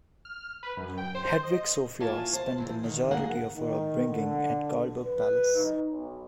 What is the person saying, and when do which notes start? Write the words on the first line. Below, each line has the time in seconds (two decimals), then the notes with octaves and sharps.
Hedvig Sophia spent the majority of her upbringing at Karlberg Palace.
0.25 F6
0.63 B4
0.77 F#2
0.97 G5
1.15 C5
1.43 D#5
2.00 A#3 E4 F4 C#5 G#5 A5
2.33 C5 A5
2.58 A#2 E3 C5
2.83 D3 D#3
3.11 D2 G#2 A#3 G#4 F#5
3.55 D#3
4.07 D3
5.05 B4
5.54 D#4
5.90 B1